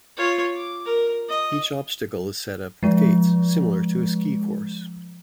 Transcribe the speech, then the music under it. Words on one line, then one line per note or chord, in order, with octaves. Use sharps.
Each obstacle is set up with gates, similar to a ski course.
F4 C#5
D6
A#4
D#5
F3 G#3